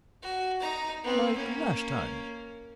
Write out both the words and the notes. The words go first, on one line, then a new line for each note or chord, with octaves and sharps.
"Like last time?"
F#4
D#4 A#5
B3 C4
A#3 C#4